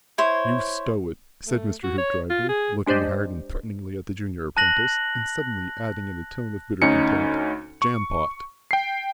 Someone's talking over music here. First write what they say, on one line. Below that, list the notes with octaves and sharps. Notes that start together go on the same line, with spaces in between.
"You stow it," said Mr. Hoopdriver, looking hard and threateningly at the junior apprentice, and suddenly adding in a tone of bitter contempt,--"Jampot."
E4 C5 C#5
A3
F#4
C#5
F4
G#4
G#3 D4 G4 C5 D5 D#5
A5 F#6 A#6 F#7
D2 C#4 D#4 C#7
C#6
G5 C7